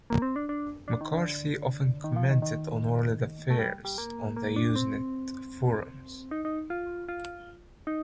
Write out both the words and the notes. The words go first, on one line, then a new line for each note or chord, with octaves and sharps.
McCarthy often commented on world affairs on the Usenet forums.
A#3
C4
D4
D4
D4
D#3
D3
D#3
F3
D#3
D#3
A3
G3
G3
A#3
A#3
D4
C4
D#4
D#4
F4
F4
D#4